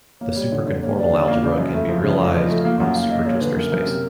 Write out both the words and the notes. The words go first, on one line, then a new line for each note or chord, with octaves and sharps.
The superconformal algebra can be realized on supertwistor space.
A#3 C#5
G3
D3
D3
A#3 C#5
G3 D5
D3
A#3
C#3 D5
F#2 D#5
A3 E5
F3
C#3 E5
A3 D#5
F3 D#5
A3
A#3 F5
F#2 F#5
A#3 F5
A#3 D#5
A#3 C#5
D3 B4
F#2 A#4
F#2
C3